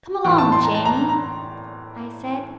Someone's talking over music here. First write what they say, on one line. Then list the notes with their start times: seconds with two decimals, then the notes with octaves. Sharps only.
"Come along, Jamie," I said.
0.24 A2 E3 G5
0.38 A5
0.52 C6
0.64 A#5
0.75 A5
0.86 A#5
1.09 A#5